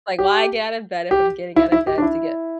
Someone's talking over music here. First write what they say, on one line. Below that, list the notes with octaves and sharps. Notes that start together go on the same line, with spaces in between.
Like, why get out of bed if I'm getting out of bed to get
G4
G4
E4
E4
G4
D4
E4